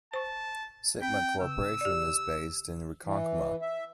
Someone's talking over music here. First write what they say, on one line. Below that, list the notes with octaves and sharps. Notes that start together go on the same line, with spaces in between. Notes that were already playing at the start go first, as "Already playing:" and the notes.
Sigma Corporation is based in Ronkonkoma.
C5 A5 C#6
C4 G5
C#3 E6
G4 D5
E3
E5